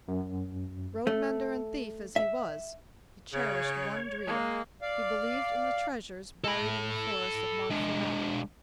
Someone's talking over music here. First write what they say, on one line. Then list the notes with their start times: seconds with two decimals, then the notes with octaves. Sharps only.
Road-mender and thief as he was, he cherished one dream; he believed in the treasures buried in the forest of Montfermeil.
0.08 F#2
1.07 A3
2.16 E5
3.33 C#3 C#5
4.27 G#3 A#3
4.82 D5 F5
6.44 A4 B5
7.70 G#3 D4